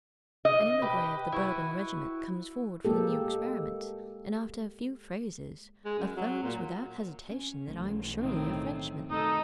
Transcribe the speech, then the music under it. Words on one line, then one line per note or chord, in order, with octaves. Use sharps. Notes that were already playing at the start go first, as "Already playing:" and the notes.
An emigre of the Bourbon regiment comes forward for the new experiment, and after a few phrases affirms without hesitation that I am surely a Frenchman.
D#5
G4 B4
E4 F#4 B4
G#3 A#3 G4 A4
G#3
F#2
F#3
A#2
C#4
B1 E3 A3
A2 D#3 C4
F#2 D#3 A3 D#4 A4 D#5